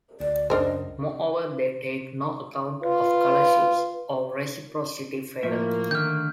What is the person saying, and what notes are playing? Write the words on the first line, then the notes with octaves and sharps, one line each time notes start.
Moreover, they take no account of color shifts or reciprocity failure.
D2 D5
C#2 F#2 D4 A#4 C5 D#5
F4 B4
A2 F3 A#3 E5
D3 D#3 A3 F6 G6